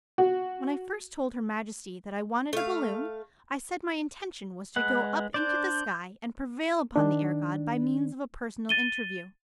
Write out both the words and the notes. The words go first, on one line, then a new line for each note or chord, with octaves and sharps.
When I first told her Majesty that I wanted a balloon, I said my intention was to go up into the sky and prevail upon the air god by means of a personal interview.
F#4
A3 F5
G#3 B4 F#5
D4 C5 D5 G6
D#3 D4
A6 D#7 G7